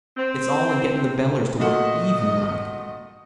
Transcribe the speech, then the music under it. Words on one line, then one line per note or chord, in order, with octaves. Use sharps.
It's all in gettin' the bellers to work even like.
C4
A#2 A3 F#4 D#5